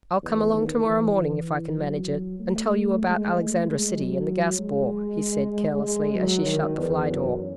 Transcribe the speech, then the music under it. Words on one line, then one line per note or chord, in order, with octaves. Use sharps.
'I'll come along to-morrow morning if I can manage it, and tell you about Alexandra City and the Gas-Bore,' he said carelessly as she shut the fly door.
E2
D#3
E3
E3
F#3
A3
G#3
A3
G#3
F#3
G#3
G#3
F#3
D#3
E2
F#2